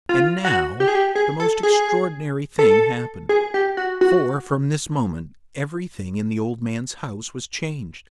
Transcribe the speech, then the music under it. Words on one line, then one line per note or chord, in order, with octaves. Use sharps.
And now the most extraordinary thing happened, for from this moment everything in the old man's house was changed.
F4
F#4
G4
G#4
G4
G#4
A4
G#4
A4
G#4
G4
F#4
F#4